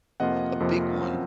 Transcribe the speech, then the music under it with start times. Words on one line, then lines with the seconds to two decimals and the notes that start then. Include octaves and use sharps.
A big one,
0.20 F2 C3 F3 A#3 F4 D#5 F#5
0.60 F2 C3 F3 A#3 F4
1.00 F#2 F3 C4 F4